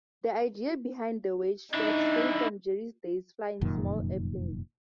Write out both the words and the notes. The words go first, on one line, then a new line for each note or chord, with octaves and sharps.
The idea behind the weight straps came from Jerry's days flying small airplanes.
D3 D#4 E4
F1 F#2 A#2 D#3